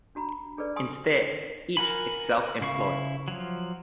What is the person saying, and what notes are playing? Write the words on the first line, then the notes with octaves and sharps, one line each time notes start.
Instead, each is self-employed.
D4 F#4 A#5 B5
D4 G#4 A4 B4 D5
G5 G#5 C6 C#6 D#6
A#4 F#5 G#5 B5
C#3 E4 F5 C#6
F3 F#3